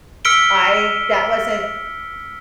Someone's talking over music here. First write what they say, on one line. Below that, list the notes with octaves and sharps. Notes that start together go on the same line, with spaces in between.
I that wasn't
E6 F6 B6 C#7 D7 G7